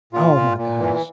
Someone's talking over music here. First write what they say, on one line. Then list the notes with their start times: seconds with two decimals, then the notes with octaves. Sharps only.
Oh my gosh.
0.13 A#2 F4
0.35 A#2
0.58 A#2
0.80 E3